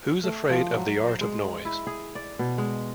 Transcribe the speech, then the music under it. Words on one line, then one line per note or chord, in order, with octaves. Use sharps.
Who's Afraid of the Art of Noise?
A3
F3
F#3
C5
G#3
E4
G#4
D5
B2
G#3